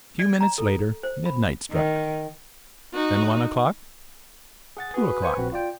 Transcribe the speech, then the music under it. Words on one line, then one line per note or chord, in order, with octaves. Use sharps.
A few minutes later midnight struck; then one o'clock--two o'clock.
D5
A#5
A4
C5
B5
D#3
D#4 F#4
G#4 F#5 A6
F#4 G#4 B4
C5 G#5 C#6
A#1 C4 F#4
F4 D5 G5